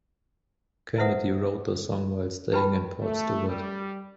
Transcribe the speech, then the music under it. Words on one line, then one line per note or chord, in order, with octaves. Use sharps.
Kennedy wrote the song while staying in Portstewart.
E4 B4 C5 E5 F#5 D#6
E4 G4 B4 G5 A5 B5
A3
G3